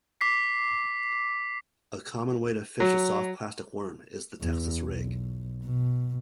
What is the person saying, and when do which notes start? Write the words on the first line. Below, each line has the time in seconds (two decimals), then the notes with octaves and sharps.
A common way to fish a soft plastic worm is the Texas Rig.
0.21 D6 B6 C7
2.80 F#3
4.41 E2
4.85 B1
5.64 B2